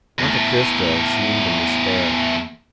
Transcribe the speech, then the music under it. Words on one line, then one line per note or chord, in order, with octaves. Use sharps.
Monte Cristo seemed in despair.
E2 A3